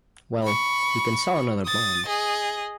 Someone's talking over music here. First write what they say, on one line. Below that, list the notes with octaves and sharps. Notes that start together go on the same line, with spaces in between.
Well, we can sell another bond.
B5 C#6
D#6 A6
G#4 D#5